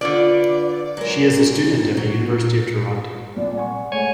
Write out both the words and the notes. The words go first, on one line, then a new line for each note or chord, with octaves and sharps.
She is a student at the University of Toronto.
D3 D4 F4 B4 D5
F#3 G#3 A#4
F#3
C2 A#2 D5
F#5 G#5 C#6
G#3 A3 C#5 G#5